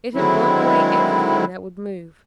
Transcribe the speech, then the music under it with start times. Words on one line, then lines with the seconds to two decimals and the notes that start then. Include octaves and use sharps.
It had blown away everything that would move.
0.15 D3 D#3 F#3 G#3 C4 E4